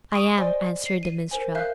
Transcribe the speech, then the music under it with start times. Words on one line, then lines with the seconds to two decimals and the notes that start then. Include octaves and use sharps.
"I am," answered the minstrel.
0.12 C#6 D#6 D7 D#7
0.38 C5 D5 D#5 G#5 C6
0.86 C7
1.03 D#7
1.31 A#4 C5 G#5
1.55 A#4 E5 F5 F#6 G6